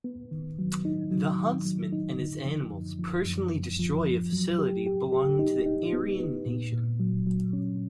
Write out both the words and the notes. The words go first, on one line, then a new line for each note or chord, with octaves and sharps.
The Huntsman and his animals personally destroy a facility belonging to the Aryan Nation.
B3
D#3
F#3
D#4
F#3
D#3
F#3
D#4
D3
F3
F#2
F3
F#2
F#2
F3
F#2
F#3
G4
G4
G4
D#4
D#4
B3
B3
A#2
A#2
F#3
F#3
C#4